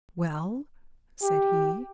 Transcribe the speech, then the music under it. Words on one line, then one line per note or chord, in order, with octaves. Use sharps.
"Well?" said he.
G4